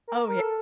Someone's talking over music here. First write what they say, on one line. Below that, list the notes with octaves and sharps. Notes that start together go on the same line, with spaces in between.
Oh ye
A#4
A#4
A4